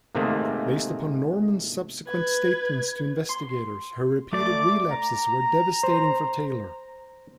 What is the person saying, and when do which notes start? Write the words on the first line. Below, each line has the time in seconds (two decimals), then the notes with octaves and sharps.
Based upon Normand's subsequent statements to investigators, her repeated relapses were devastating for Taylor.
0.15 G#2 C3 D#3 A3 A#3
2.07 B4 G#6
3.29 C6
4.33 A3 D5 D6
4.90 A#5
5.83 C5